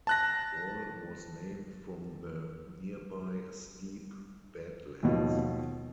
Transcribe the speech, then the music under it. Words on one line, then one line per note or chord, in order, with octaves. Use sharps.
Wall was named from the nearby steep Badlands.
A5 F#6 A#6
D#2 B2 F3